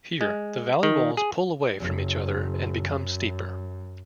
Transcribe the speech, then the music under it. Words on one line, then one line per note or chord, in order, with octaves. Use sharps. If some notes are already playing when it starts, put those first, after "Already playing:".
Here, the valley walls pull away from each other and become steeper.
G#3
D#3
G#4
F#1
F#2